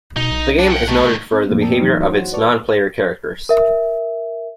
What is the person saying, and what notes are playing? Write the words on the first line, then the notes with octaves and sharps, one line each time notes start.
The game is noted for the behaviour of its non-player characters.
B2 D#4
B1
D4
F#5 G5
D#3 A3
C4
F2 A2 F3 A3 A#3 C4
D5 G5 A5 A#5 D#6 E6
E2 E3 F#3 D#4
F#4 C5 C#5 F#5
B4 D5 A5 C#6 D6 F6
A#4 E5